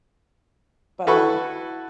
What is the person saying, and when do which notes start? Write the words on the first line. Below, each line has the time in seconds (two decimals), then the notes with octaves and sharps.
But, um,
1.07 E4 F#4 A4 B4 B5 C#6